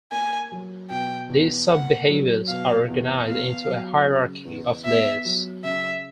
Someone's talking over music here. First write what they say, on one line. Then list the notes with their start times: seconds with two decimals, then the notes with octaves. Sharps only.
These sub-behaviors are organized into a hierarchy of layers.
0.12 A#3 G#5
0.52 F#3
0.90 B2 G5
1.30 E2
1.69 A#3 F#5
2.09 F#3
2.48 B2 F5
2.88 E2
3.27 B3 F5
3.67 F#3
4.06 C#3
4.45 E2
4.85 B3 E5
5.25 F#3
5.64 C#3 E5